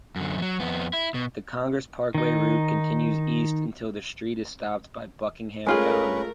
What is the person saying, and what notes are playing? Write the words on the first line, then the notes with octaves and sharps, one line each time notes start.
The Congress Parkway route continues east until the street is stopped by Buckingham Fountain.
F#2 D3
E3 F#3
F2 B3
E4
B2
D#3 D#4
G#3 A3 C#4 F4 G#4 A#4 B4